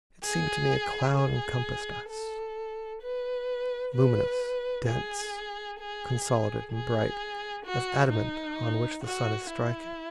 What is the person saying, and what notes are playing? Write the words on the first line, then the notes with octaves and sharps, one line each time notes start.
It seemed to me a cloud encompassed us, Luminous, dense, consolidate and bright As adamant on which the sun is striking.
G#4
G#4
A4
B4
B4
G#4
G#4
G#4
F#4
D#4
F#4
E4